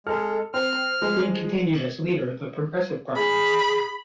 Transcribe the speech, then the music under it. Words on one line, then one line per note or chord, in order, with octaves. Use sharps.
Green continued as leader of the Progressive Party.
G#3 A4 F6
C4 F6
F3 G#3
G#4 B5